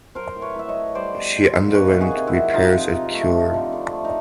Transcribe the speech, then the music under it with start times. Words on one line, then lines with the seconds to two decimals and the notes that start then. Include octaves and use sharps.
She underwent repairs at Kure.
0.15 F#3 A#4 C5
0.36 A2
0.42 B4 C#5
0.55 A2 E5
0.69 C#5 D#5
0.75 A3
0.95 G3 C5 D5
1.15 B2
1.35 B2
1.54 A#3
1.74 D#3 B4 C#5
1.95 C3
2.01 F#4 G#4
2.14 C3
2.27 E4 F#4
2.35 F#3
2.54 F3 D#4 F4
2.74 C3
2.94 C3
3.14 A3
3.34 F3
3.54 D3
3.73 D3
3.93 A3
4.05 D#4